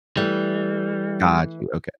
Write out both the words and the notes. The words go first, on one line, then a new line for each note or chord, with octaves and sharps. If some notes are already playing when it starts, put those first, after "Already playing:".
Got you. Okay.
E3 G3 A3